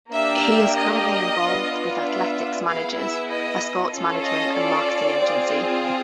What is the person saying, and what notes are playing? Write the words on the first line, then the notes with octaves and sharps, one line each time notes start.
He is currently involved with Athletics Managers, a sports management and marketing agency.
A#3 D4 G4 E5
D#5
B3 D4 F4
E5
B3 E4 G#4 F5
E5
D#5
C#4 F4 A4
D#5
D5
C4 F4 G#4